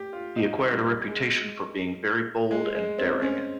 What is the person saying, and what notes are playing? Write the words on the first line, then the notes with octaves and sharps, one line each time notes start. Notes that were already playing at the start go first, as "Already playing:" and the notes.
He acquired a reputation for being very bold and daring.
Already playing: G4
F4
D#4
G3
G#3
G#3
G#3
C4
C#4